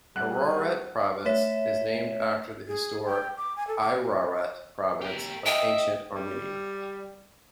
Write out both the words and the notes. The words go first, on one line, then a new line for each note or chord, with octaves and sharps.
Ararat Province is named after the historic Ayrarat province of Ancient Armenia.
C3 G3 G#4 F#5 F#6
A3 C#5 E5 B6 E7
G#4
G5
D6
G#5
A4
D6
G4 A#4
D#5 E5 G5
G3